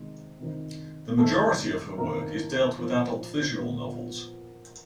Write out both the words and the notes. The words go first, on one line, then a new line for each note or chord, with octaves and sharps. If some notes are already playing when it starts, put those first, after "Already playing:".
The majority of her work is dealt with adult visual novels.
Already playing: C3 D#3 G#3
C3 D#3
C3 D#3 A3 A4
C3 D#3 A#3 A#4
A#2 F3
A#2 F3 B3 B4